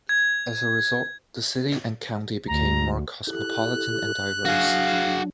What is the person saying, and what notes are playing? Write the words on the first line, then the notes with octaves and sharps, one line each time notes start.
As a result, the city and county became more cosmopolitan and diverse.
G#6
D2 A#5
E4 G4 A4 F#6
F#3 D4 F#4 G#4 F5